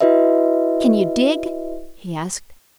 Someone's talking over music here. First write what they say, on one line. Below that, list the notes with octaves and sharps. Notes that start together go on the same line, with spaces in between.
"Can you dig?" he asked.
E4 F#4 B4 D#5 E5